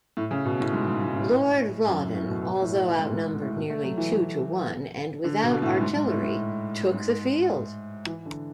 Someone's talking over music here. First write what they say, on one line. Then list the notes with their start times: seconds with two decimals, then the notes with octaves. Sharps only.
Lord Rawdon, although outnumbered nearly two to one, and without artillery, took the field.
0.17 A2
0.31 C#3
0.45 B2
0.60 A2
0.73 G#2
0.88 G#2
1.02 G#2
1.16 A2
1.87 F#2
2.15 A2
2.29 B2
2.42 B2
2.62 A2
2.99 G#2
3.13 G#2
3.42 A2
3.55 B2
3.70 A3
3.84 F#3
3.98 E3
4.12 E3
5.24 D3
5.43 B2
5.62 A2
5.81 G#2
5.95 G#2
6.09 A2
6.23 A2
6.94 G#2
8.06 E3
8.26 D3